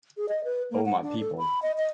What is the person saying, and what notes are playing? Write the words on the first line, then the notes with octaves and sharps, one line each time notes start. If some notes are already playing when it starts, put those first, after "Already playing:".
O my people!
G#4
D#5
B4
A#3
F#5
D4
A4
B5
D#5
D#5